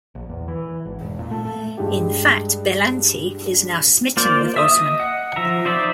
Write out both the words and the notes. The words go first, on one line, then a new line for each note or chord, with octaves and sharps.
In fact Bellante is now smitten with Osman.
A#1
E2
E3
G#1
E1
A#2
A3
A3
G2 G#3 G4
A#3 F4 C5 D5
E5 D#6
D#5
F#5
F3 E5 A#5
D#4 C5 D5 E5